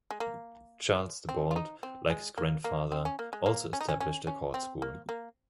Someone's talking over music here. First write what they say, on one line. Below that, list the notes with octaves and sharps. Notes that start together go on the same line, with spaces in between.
Charles the Bald, like his grandfather, also established a Court School.
G#3
A#3
C4
F4
D#4
C4
G#3
A#3
A#3
C4
C#4
A#3
G#3
A#3
C#4
D#4
C#4
C#4
C#4
C4
A#3
A#3